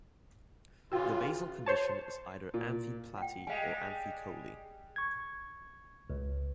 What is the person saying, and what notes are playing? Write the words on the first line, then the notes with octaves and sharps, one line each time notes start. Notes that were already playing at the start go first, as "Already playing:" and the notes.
The basal condition is either amphiplaty or amphicoely.
C#3 E3 F4 F#4 G5
C5 C#5 A5
A#2
F#5 G5
G3 G#3 F5 G#5
C#6 G#6
C#2